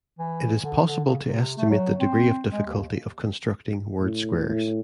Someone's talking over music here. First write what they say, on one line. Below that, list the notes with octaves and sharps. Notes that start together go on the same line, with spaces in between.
It is possible to estimate the degree of difficulty of constructing word squares.
E3
D3
D3
C#3
C3
A3
F#3
C4
G#3
D#2
A2
A2